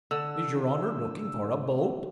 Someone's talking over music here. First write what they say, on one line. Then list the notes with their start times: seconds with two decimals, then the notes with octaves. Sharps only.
"Is your honour looking for a boat?"
0.11 D3 E6